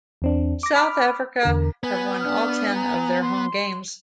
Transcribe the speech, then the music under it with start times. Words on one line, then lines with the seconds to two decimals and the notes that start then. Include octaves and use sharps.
South Africa have won all ten of their home games.
0.22 E2 C4 D4
0.63 D6 A#6
0.74 B5 D6 F6
1.43 E2 D3 A#4
1.84 B3 B4 G#5
2.21 D4 F6
2.74 G#5 A#5
3.22 C6